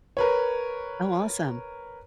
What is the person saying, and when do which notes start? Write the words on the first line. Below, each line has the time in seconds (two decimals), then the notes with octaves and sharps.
Oh, awesome.
0.17 A#4 B4 C#5